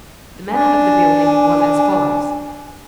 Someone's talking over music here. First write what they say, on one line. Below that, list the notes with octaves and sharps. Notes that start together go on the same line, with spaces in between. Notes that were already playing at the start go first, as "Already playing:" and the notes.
The manner of the building was as follows.
D4 G#5